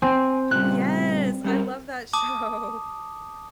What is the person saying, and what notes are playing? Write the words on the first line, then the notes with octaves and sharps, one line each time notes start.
Yes! I love that show.
C4 G#5
A#2 C#3 G3 F#6
G3 C#4 A#4
A5 D6 D#6